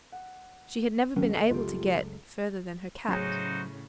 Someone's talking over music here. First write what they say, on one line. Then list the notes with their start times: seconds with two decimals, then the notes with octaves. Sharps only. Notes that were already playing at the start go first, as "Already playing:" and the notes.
She had never been able to get further than her cat.
0.12 F#5
1.16 G#1 D#2 F#3 C#4 A#4
1.29 D2 A4 D#5
1.51 C#2 F#2 A3 F4 G4
3.08 A2 C#3 F#3 C#4 D#4 F#4 G#4 C5